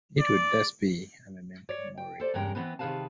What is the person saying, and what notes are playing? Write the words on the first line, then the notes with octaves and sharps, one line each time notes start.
It would thus be a "memento mori".
D5
C#5 D5
G5
A4 C5 D5
E2 G2 C#3 G#3 A#4 G5
E3 F#3 B3 C4 B4
C3 D#3 G#4 B4 F5 A5